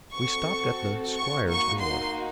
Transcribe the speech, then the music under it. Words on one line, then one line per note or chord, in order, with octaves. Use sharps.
We stopped at the 'squire's door.
C4 F#4 A4 C#6
C#6
A#3 D#4 F#4 C#6
C6